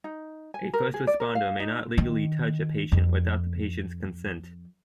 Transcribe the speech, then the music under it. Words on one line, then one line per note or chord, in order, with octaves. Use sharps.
A first responder may not legally touch a patient without the patient's consent.
D#4
G#5
A#4
G#4
D5
A#4
F5
D#4
D#3
F2